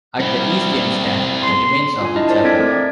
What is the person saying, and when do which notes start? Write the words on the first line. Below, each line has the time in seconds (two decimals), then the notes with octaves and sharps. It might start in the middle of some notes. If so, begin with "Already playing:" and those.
At the east end stand the remains of the chapel.
0.19 C4 E4
1.43 C6
2.01 F4 G#5
2.15 D4 E4 D#5
2.28 A#4 C5 D5 A5
2.43 C4 A4 D5 G#6 B6 D7
2.59 A3 C4
2.73 D5